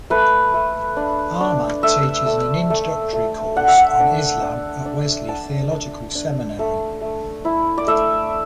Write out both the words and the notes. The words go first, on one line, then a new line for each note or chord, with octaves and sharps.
Ahmad teaches an introductory course on Islam at Wesley Theological Seminary.
A3 B4
A3
D4
D4
A3 E5
A3
A3
A3
D4 F#5
E5
F#5
D4
D4
D4
D4 A5
D4
D4
A3
A3
E4
D5
A3 E5